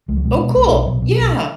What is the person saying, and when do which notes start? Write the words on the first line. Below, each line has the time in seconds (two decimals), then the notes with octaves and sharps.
Oh, cool, yeah.
0.08 C#2 G#3
0.17 F#3
0.24 B2 G#3
0.40 B2
0.55 B1
0.71 B1
0.86 B2 F#3
1.02 B2
1.18 B1